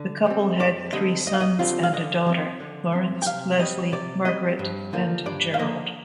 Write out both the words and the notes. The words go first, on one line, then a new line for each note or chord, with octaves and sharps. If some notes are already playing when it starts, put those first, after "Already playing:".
The couple had three sons and a daughter-Lawrence, Leslie, Margaret, and Gerald.
Already playing: D3
G3 C4
F2 D5
D3 G3 C4 D#5
F2 D#5
F5
D#5
D3 G3 C4 F4
F5
D3 D#5
F3 C4
D3
F3 C4
G5
C3 F5
G3 C4 D#5
C3 D5
G3 C4 D#5
G2
D3 F3 A#3
G2 D5
F5
D3 F3 A#3 D#5